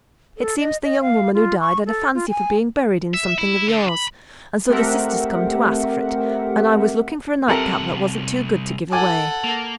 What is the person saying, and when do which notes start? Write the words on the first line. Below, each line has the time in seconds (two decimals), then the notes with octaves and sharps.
It seems, the young woman who died had a fancy for being buried in something of yours, and so the sister's come to ask for it,--and I was looking for a night-cap that wasn't too good to give away.'
0.37 A4
0.60 D#5
0.84 D#5
1.01 F5
1.34 F4
1.60 C#6
1.86 A4
2.14 F4
2.29 G#5
3.14 E5
3.38 E4
3.68 D3
3.89 B5
4.68 A3 C4 G4 A#4 E5 F#5
7.48 C2 C3 A4 A#4 F#5
8.92 A4 F#5 G#5 D6
9.44 A#3